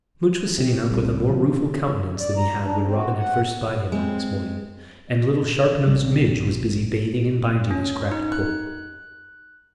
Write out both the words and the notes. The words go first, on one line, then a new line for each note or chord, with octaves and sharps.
Much was sitting up with a more rueful countenance than he had when Robin had first spied him on this morning; and little sharp-nosed Midge was busy bathing and binding his cracked poll.
C3
C2
F3
D5
A#5
D4
C4
F#4
F#5
G#3 C4
A#1 C3 G3
C#4
D#4
F#6